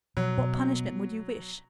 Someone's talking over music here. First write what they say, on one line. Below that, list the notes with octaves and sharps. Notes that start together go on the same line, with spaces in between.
"What punishment would you wish?"
B2 F#3
B2
B3